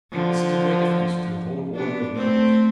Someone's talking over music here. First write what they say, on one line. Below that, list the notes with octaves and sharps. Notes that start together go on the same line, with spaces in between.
This is a great offence to the whole order of nobles.
D3 F3
B3 D4
A3 C4